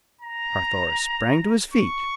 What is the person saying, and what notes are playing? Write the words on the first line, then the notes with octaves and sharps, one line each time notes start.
Carthoris sprang to his feet.
A#5
C#6